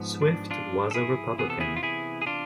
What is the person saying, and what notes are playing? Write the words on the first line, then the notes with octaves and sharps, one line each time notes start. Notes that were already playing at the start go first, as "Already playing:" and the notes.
Swift was a Republican.
Already playing: G#2 F3 B3
D4
D4 F4
A4
E4 G#4
C3 E3 B3 G#4
A4
E4 G#4
F4
E4 G#4
G#4
D4 F4